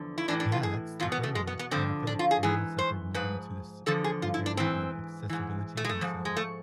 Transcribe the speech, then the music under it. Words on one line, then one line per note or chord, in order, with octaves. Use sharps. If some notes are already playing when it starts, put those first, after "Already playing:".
Yeah, that's the thing, and, like and I feel like now it's, like, we're moving into this new era of accessibility, and so
Already playing: E2 D3 F3
E4
A2 E3 D4
D4
F4
G#4
E2 B2 F4
B3
A3
G#3
B3
B3
F2 D3 F3 C4
D4
F4
G#4
G#2 E3 G#4
C5
G#2 F3 B4
E2 D3 F3 A4
G#4
F4
E4
D4
G#2 E3 C4
G#2 E3
A3
G#3
A3
G#2 F3
G#3
A3